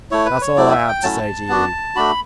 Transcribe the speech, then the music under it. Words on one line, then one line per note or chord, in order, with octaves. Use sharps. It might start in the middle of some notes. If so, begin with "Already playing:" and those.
That's all I have to say to you.
A3 E4 C#5
B4
C#5
F#3 A3 E4 D5
E5
G5
F#3 A3 C#4 E4 A5
B3 D4 F#4
A3 D4 F#4 B5